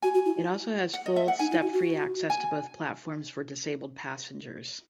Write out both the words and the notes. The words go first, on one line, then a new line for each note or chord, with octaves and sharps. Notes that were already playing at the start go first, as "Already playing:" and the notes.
It also has full step-free access to both platforms for disabled passengers.
F#4 G#5
F#4
E4
F#5
D#5
E5
F#5
D#4 G#5
E4
F#4
F#4
G#5